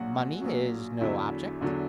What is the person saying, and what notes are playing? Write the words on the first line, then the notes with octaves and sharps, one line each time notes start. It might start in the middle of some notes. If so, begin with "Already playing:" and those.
"Money is no object?"
Already playing: A#1 A#2 F#3 F#4 F#5
A#1 A#2 F#3
E2 D3 F#3 E4 E5
E2 D3 F#3